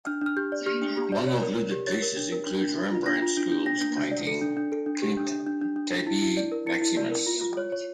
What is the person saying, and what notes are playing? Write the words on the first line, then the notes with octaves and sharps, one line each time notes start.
One of looted pieces includes Rembrandt school's painting 'Klint Tabie Maximus'.
D4 F6
D4 F6
G4 G6
D5
G4 F6
D4
G4
D5
C#5
A#4
A#4
G4
C#5 A6
A#4
D4
A#4
D4
D4
D4
F4
D4 A#6
F4
D4
D4
D4 A#6
D4
D4
D5
A4 C#7
D4
D4
A4
D4
G4
D4
D4
D4
D4
D4
D4
E4
E4
D5
A#4
E4 C#7
E4
D5
A#4
F4
F4
C#5
C#5